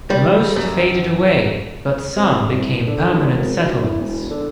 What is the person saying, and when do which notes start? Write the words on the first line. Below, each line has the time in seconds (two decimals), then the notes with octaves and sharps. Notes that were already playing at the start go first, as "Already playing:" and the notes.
Most faded away but some became permanent settlements.
0.10 G3
0.56 F#2
2.16 C3
2.49 C2
2.87 D3
3.12 A1
3.34 G#1
3.56 D2
3.83 E2
4.01 E1
4.30 D3